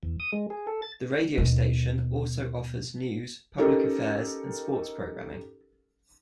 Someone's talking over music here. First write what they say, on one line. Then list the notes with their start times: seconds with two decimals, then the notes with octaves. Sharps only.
The radio station also offers news, public affairs, and sports programming.
0.03 E2
0.20 D#6
0.33 G#3
0.50 G#4
0.67 A4
0.82 A6
1.38 D#2 B2
3.58 C#4 D#4 G4 A4 A#4